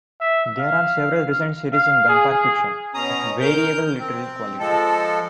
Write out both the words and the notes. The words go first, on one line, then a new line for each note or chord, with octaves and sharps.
There are several recent series in vampire fiction, of variable literary quality.
E5
F5
F5
G#4
B2 C#4 A#5 D#6
A#4 G6
C4
F3 G#3 A4